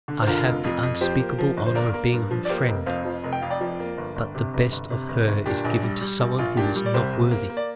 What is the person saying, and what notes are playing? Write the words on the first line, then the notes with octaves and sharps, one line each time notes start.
I have the unspeakable honour of being her friend, but the best of her is given to someone who is not worthy.
D3
C5
D3 F4 A#4
F1
F2
F2
F3 G4 C5
A#3
F3
G1
C5
A#3 A#4 D5
A#3
G2
F3
D5
A#3 G4 C5
F1
F2 C5 F5
F3
F1
G5
F2 F5
D5 G5
F3
A#3
G1
G1
C3
G1
G1
C3
G1
G1
A#2 D4 G4
A#1
G3
G3
A#1
A#1 F4
A#2 D4 G4
G3
D5
C2 G4 C5
C2
A#3
A#3
D5